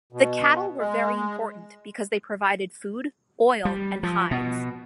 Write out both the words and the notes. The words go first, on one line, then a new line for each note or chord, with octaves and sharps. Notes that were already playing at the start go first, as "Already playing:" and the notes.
The cattle were very important because they provided food, oil and hides.
B2
G#3
G3
F3
B2